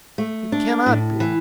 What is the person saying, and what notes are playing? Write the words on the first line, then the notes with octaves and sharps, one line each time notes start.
It cannot be.
A3
D4
A2
E3